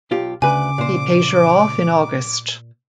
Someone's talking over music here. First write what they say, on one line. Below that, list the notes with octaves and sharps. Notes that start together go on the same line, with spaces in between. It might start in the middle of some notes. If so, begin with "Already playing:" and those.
He paid her off in August.
B1 F4 G4
D2 C#3 B4 G#5 D6
A#2 C5